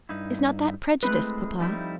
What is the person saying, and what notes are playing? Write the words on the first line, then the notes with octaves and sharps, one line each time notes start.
"Is not that prejudice, papa?"
G2 D#4 E4
G#3 A3 C4 E4 B4
F3 G3 D#4 E4